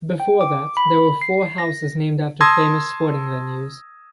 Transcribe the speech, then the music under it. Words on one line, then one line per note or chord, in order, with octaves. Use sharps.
Before that, there were four houses named after famous sporting venues.
G5
D6
B5
C7
A#6
A5 C6 D#6 E6 G#6 A#6